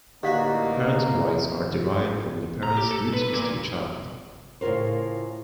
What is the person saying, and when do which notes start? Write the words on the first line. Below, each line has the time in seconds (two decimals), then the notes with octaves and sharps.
Parental rights are derived from the parent's duties to the child.
0.23 A1 D3 A#3 D#4 F#4 G4 D5 F5
2.63 A#5
2.77 G4
2.91 A4
3.13 B4
3.33 A#2
4.61 A2 C#3 F4 A#4 C5